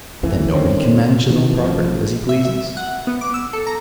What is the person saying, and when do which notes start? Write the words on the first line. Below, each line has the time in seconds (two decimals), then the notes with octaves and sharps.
"Then nobody can manage his own property as he pleases?"
0.23 A1 F2 E3
0.54 D3 D#3 C4 C#4
1.30 D#3 E3
1.62 A1 F3
2.29 E5
2.45 E5
2.77 F#5
3.07 B3
3.21 D6
3.34 E6
3.53 A4
3.67 A#5